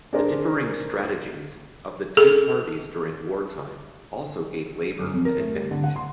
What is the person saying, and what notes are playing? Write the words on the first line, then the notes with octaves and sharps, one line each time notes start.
The differing strategies of the two parties during wartime also gave Labour an advantage.
D4 G#4 A#4 C5
G#4 A4
F#2
F2
A#4
A3
G3
D3
F#5
C6